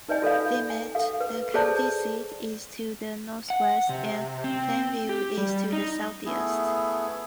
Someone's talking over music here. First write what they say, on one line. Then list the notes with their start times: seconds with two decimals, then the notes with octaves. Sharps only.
Dimmitt, the county seat, is to the northwest, and Plainview is to the southeast.
0.09 D#4 B4 D5 D#5 G#5
0.22 F4 A4 D5 F5
0.70 G#5
0.95 A4 F5
1.20 B4
1.54 G#4 A4 B4 C5 D5 A5
3.50 F#5
3.89 C3
4.44 C4
5.09 G4
5.38 G3
5.73 D#4
6.26 A3 B3 E4 G#4